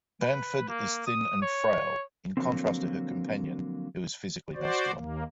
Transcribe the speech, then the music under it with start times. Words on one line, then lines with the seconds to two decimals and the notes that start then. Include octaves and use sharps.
Banford is thin and frail, in contrast to her companion who is physically masculine.
0.22 B4
0.68 A#3
1.07 D#6
1.42 C#5
2.37 D3 F3 F#3 A#3 C4
4.55 F#4 C5 D5
4.94 D#2 A#3